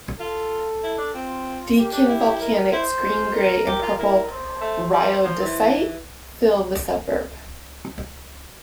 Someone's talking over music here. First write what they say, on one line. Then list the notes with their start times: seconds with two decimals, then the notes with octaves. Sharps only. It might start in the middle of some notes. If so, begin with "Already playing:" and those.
Deakin Volcanics green-grey and purple rhyodacite fill the suburb.
0.20 F4 A4
0.83 E4
0.98 D4
1.14 C4 F4
1.77 A#3 G4
1.93 D4
2.08 E4
2.40 A#4
2.72 E4 C5
3.03 F4
3.36 A#4
3.67 G4
3.82 F4
3.98 E4 A#4
4.30 C5
4.61 A3
4.92 G3 C5
5.24 F3
5.40 E3